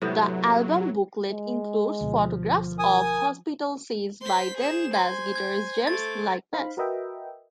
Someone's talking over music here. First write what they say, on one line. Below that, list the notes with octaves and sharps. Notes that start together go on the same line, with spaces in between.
The album booklet includes photographs of hospital scenes by then-bass guitarist James Likeness.
A2 C3 F#3 B3
G#3
D2 B2 F3
A#4 G#5 D#6
C5 C6 B6
G#4 E7
G#5 C6 G#6
G#6
A3 D6 A6
D#4 C5 F5 B5
F#4 A#4 B4 D#5 E5 G5